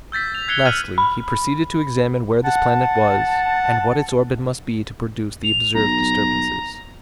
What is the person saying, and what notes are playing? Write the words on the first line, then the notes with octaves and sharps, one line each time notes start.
Lastly he proceeded to examine where this planet was, and what its orbit must be to produce the observed disturbances.
E6 G6 A6 B6
F7
F#6 G#6 C7 C#7 F7 G7
F6 D#7 F#7
B5
F#5 A5
F7
B1 A#5